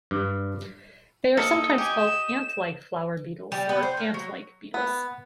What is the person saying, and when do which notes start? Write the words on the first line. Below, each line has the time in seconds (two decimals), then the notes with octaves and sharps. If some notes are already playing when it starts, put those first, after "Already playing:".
They are sometimes called ant-like flower beetles or ant-like beetles.
0.11 G2
1.37 A#3 A4 D#5 C#7
1.78 G4 G#5
1.97 E7
3.52 G3
3.69 B3
3.82 C5
3.97 A#3
4.14 F#3
4.74 B3